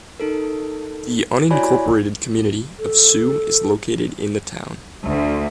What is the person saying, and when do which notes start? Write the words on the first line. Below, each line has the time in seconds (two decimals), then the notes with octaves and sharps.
The unincorporated community of Sioux is located in the town.
0.20 D#4 A4 A#4
1.51 E4 F#4 C#5 D5 G#5 B5
2.79 A4
5.08 D2